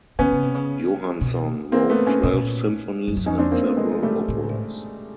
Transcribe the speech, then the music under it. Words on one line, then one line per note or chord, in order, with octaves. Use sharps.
Johanson wrote twelve symphonies and several operas.
D3 B3 C#4
C#3
C3
C#3
B2
A#3 C4
A3 B3
B3 C#4
A#2
B2
A#2
G2
F#2
F2 C#4 D#4
C4 D4
A#3 C4
A3 B3
G#3 A#3
G3 A3
A2